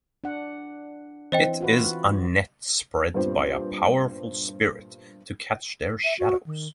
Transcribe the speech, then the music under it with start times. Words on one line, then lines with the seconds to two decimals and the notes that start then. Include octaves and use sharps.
It is a net spread by a powerful spirit to catch their shadows.
0.24 D4 F#5
1.32 E3 C4 C5 D#5 G5
1.61 F4 F#4 B4
3.14 G2 A#2 B3 C4 D4 G4
6.04 E5
6.19 F#4
6.46 D#3